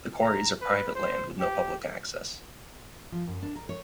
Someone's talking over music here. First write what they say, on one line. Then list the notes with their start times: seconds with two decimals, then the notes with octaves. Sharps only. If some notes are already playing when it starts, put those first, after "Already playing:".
The quarries are private land with no public access.
0.21 A#5
0.62 B4
0.95 C5
1.40 G4
3.12 F3
3.27 F#2
3.42 D4
3.55 A#4
3.69 C#5